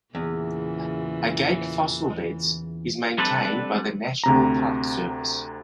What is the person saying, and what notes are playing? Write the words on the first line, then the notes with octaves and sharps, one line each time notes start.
Agate Fossil Beds is maintained by the National Park Service.
E2 A#2 C#3 E3
G3 C4 D4 A4 B4
D2 C3 A#5